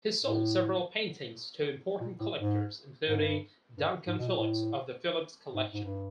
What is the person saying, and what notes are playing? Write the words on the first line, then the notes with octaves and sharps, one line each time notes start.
He sold several paintings to important collectors including Duncan Phillips of the Phillips Collection.
A2
A#2
A2
G#2
G#2
G2
G2
G#2
B2
A#2
A2
G#2
G#2
G2